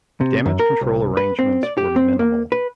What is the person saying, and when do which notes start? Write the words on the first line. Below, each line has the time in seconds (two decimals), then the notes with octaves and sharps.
Damage control arrangements were minimal.
0.21 C3
0.46 F#2
0.59 A#4
0.81 C2
1.17 B4
1.39 C4
1.63 D5
1.77 G4
1.96 C4
2.19 A#3
2.52 B4